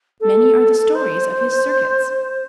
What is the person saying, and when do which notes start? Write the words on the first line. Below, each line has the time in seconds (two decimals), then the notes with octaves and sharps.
Many are the stories of his circuits.
0.20 A4
0.95 C5